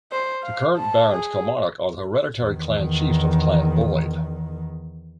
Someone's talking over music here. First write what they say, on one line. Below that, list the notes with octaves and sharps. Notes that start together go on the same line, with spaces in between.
The current Barons Kilmarnock are the hereditary Clan Chiefs of Clan Boyd.
C5
F5
A5
G#4
E2 D#3